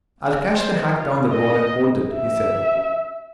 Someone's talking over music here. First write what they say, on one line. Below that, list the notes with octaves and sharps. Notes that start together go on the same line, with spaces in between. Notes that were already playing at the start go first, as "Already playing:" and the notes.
"I'll catch the hack down the road and hold it," he said.
C5
F4
D#5
E5